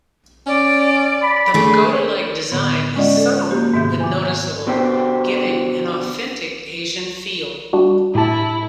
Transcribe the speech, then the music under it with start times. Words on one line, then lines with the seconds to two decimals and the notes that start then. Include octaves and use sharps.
The pagoda-like design is subtle but noticeable, giving an authentic Asian feel.
0.47 C#4 D5
1.22 B5
1.54 D3 A3 G#4
2.52 A2 D3 B3
2.95 G#3 C#4 F4 D5 D#5 F#5
3.17 A4
3.51 A#3 F#4 G4
3.74 G#2 C3 D#3 B3 E5 G6
4.00 G#5 D6
4.67 B2 D3 B3 G4 C5 G5
7.73 G3 D4 F#4
8.15 A2 E4 G4 A5